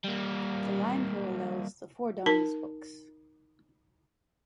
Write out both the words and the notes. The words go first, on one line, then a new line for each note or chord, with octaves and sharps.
The line parallels the "For Dummies" books.
G3 A#3
D#4 A#4 A5